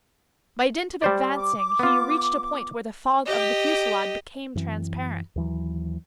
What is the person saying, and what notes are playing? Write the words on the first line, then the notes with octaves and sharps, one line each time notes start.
By dint of advancing, he reached a point where the fog of the fusillade became transparent.
G3 C5 D5
D6
B3 F4
G4 D#5
F#2 E3 C4
D#2 E3 F#3